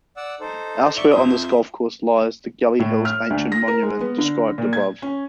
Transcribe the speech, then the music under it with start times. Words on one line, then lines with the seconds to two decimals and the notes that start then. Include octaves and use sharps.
Elsewhere on this golf course lies the Gally Hills ancient monument, described above.
0.17 D5 F#5 E6
0.41 D#4 A4 C5
0.97 D5 E5 C#6 G7
1.11 F2 F3 C5 E5 D#6 G6
2.79 A2
3.05 F6
3.30 D2
3.52 A#6
3.68 A#4
3.83 G#3
4.01 B3
4.18 D3
4.58 A#2
4.73 G#6
5.02 C#4